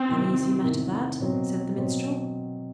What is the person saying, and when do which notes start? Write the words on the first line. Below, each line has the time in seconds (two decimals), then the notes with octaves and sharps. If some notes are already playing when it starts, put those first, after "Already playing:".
"An easy matter that," said the minstrel.
Already playing: C4
0.08 E2 C3 D#3
0.64 E2 C3 D#3
1.20 B2 F#3 C4
1.76 B2 F#3 C4